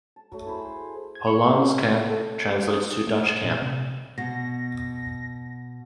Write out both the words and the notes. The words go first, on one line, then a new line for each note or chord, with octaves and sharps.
Hollandse Kamp translates to Dutch camp.
A5
F#3 A3
E4 G#4 C5 B5
C5
G#6
C#6
C#5
A3
A4
G4
D#6
A3
D#5
A#2
C3
B2 A#6